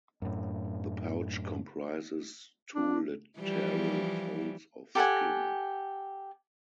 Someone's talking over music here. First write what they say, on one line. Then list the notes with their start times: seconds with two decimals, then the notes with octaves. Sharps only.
The pouch comprises two lateral folds of skin.
0.22 F#2 A2
2.75 D4
3.39 E3 F3 G3
4.95 G4 A4 F#5 G#5